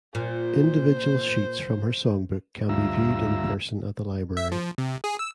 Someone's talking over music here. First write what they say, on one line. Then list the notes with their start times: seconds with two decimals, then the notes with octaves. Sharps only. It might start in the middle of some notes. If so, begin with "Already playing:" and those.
Individual sheets from her songbook can be viewed in person at the library.
0.15 A#2 C5
2.69 D2 G2 F4 E5 A#5 E6
4.37 E5
4.52 F3
4.78 C3
5.04 G#4
5.19 E6